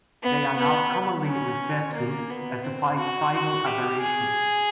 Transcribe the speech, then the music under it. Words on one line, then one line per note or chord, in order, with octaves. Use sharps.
They are now commonly referred to as the five Seidel Aberrations.
B3
B3
C#4
A#3
B3
C4
F#4
F#4
G4
G#4